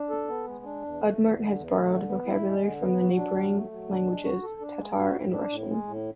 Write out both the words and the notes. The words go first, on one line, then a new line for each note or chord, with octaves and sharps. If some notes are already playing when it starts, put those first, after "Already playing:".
Udmurt has borrowed vocabulary from the neighboring languages Tatar and Russian.
Already playing: D4
A4
B3
G#3
D4
E2
A3
E2
D3
E2
A3
D3
B3
E4
G#3
D3
B3
F#3
D4
F#3
A3
F#3
D4
G#3
F#4
A4
D4
G#3
F#4
A2
D4
A2
G#3
A2